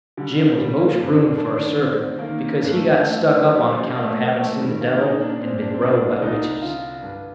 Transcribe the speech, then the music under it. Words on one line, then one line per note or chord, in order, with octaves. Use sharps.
Jim was most ruined for a servant, because he got stuck up on account of having seen the devil and been rode by witches.
D3 G3
F3
D3 G3
A#3
G2 C4
D4
D#3 D4
D4
D2 C4
D#3 A#3
G2 A#3
A3
G3
A3
D3
D3 G3
G3
F3
D3 G3
A#3
A3
F2 A#3
A3
D#3 G3
A#3
A#2 D#4
D4
A#2 C4
D4
C4
C2 D4
C2 D#4
D3 F4
G2